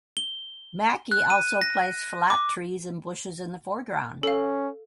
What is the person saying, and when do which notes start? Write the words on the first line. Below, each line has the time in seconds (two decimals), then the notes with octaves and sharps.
Macke also placed flat trees and bushes in the foreground.
0.17 G7
1.11 F#6
1.30 D#7
1.61 A#6
2.30 D6
4.23 C#4 A4 F5